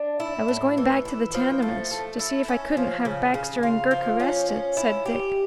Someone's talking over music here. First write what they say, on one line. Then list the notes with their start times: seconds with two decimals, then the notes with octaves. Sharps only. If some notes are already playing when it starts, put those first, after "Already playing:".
"I was going back to the tenements to see if I couldn't have Baxter and Girk arrested," said Dick.
Already playing: D4
0.20 E4
0.48 A2
0.77 E3
1.05 E4
1.34 F3
1.62 A3
1.91 A3
2.19 E4
2.48 C#4
2.77 F3
3.05 C#3
3.34 C#3
3.63 F4
3.91 F3
4.20 C#4
4.49 C#4
4.77 E4
5.06 G4